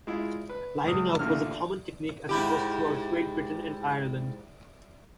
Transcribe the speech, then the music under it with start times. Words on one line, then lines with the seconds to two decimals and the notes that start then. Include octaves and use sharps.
Lining out was a common technique, as it was throughout Great Britain and Ireland.
0.07 G#3 E4 F4
0.49 B4
0.86 C#2 D#6
1.19 A1 A#2 D3 F6
2.29 G#2 E4 G4